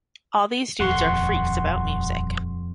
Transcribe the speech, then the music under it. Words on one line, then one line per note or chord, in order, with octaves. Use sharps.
All these dudes are freaks about music.
D#1 F2 F#5 C6 C#6